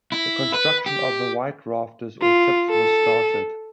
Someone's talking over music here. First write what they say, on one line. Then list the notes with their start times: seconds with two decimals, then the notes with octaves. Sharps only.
The construction of the white rafters, or tips, was started.
0.12 E4
0.54 B4
0.86 G4
2.22 F4
2.70 A4